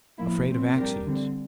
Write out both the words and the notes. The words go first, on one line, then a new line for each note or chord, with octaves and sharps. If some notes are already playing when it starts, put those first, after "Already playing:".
Afraid of accidents.
A2 F3 A#3 E4
A#2 A3 C4
G3 D4 G4 A#4
D3 G3 C4